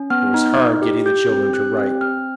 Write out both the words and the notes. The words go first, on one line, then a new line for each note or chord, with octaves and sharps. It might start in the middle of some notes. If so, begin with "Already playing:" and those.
It was hard getting the children to write.
Already playing: C#4
B3 F6
D#4 F6
D#4
G4
G4 G6
C4
G4 F#6
C4
C4 F6